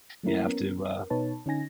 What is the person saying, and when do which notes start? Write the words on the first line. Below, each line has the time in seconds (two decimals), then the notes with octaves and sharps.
You have to, uh,
0.23 F#3 A3 A#3 C#4 E4 A#4
0.46 B3 C#4 A#4
1.10 B2 B3 D#4 B4 C#5 A5
1.46 D3 C#4 D#4 G#5 A#6